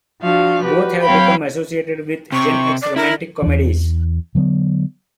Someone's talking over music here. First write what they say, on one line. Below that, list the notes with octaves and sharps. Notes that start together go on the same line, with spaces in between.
Both have become associated with Gen-X romantic comedies.
F3 D4 F#4 F5
F#4 G4 B4
F#3 C4 C#5 F5 G5 B5
C3 C#6
D5
E4 A#4
E2 E3
D3 F#3 A#3 B3